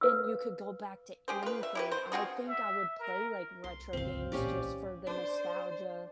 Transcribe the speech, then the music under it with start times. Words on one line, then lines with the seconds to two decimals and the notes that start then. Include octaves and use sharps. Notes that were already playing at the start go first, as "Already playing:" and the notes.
and you could go back to anything. I think I would play, like, retro games just for the nostalgia
0.01 B4 F5 E6
1.28 G4 G#4 C5
1.43 F4 B4
1.63 E5
1.75 E4 G4 B4
1.92 C5
2.12 C4 F4 F#4 G#4
2.48 E5
3.00 A#4
3.64 C2 C6
3.93 G1 C#2 C4 F5
4.32 A1 A#2 C#4 G4 D5
5.07 D4 C5